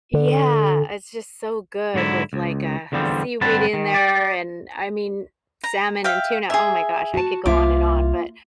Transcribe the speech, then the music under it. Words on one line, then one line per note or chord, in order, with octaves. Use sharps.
Yeah, it's just so good with, like, uh, seaweed in there, and I mean, salmon, and tuna, oh my gosh, I could go on and on, but
D3
G#2 D3 F#3 E4
C#2
E2 D3 F3 G3 C4
G2 D3 C4 B4 F#5 A5
D#3
D5
A#5
E5 F5 G5
G#4 E5
F#4 A5
C2 A#3 F4 E5 D6